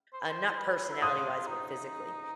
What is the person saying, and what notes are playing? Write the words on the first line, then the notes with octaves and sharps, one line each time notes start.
Uh, not personality-wise, but physically.
C5
B4
C5
B4
E4
F4 D#6
D#4